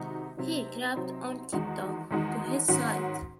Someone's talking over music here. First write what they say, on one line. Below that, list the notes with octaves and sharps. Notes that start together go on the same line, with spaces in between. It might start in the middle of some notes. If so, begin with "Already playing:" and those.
He crept on tiptoe to his side.
Already playing: C3 D#3 G#3 D#4 F#4
C3 F#3 C4 D#4
C3 F#3 C4 D#4
E2 D#3 G#3 D#4 F#4
E2 D#3 G#3 D#4 F#4
G#2 D#3 F#3 C#4 F#4